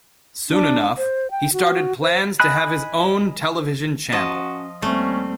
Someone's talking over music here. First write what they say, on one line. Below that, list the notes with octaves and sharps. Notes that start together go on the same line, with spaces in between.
Soon enough, he started plans to have his own television channel.
D4
C5
G5
F#4
C5
D#5 G#5 B5 F#6
F3 C#4 F#4 D#5 A5
D#2 G3 A3 C4 C#4